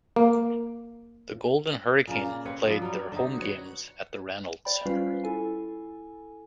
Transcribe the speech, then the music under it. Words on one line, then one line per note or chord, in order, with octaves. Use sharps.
The Golden Hurricane played their home games at the Reynolds Center.
A#3
A#2 C#3 A#3
C4 B4 C#5
F3 G3 B3
F#3 G3
D3 C4 D#4
F#4 B4 C#5
C5 D5 G5 B5
G3 C#4 F4 B4 F5 C7
E4 A4 G#5